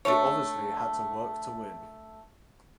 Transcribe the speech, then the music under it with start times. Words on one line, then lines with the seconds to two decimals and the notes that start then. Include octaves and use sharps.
He obviously had to work to win.
0.05 A3 D4 A4 C#5